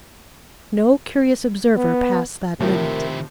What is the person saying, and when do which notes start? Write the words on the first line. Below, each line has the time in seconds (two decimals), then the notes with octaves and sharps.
No curious observer passed that limit.
1.77 B3
2.60 A2 C3 D#3 F3 C4 E4 A#4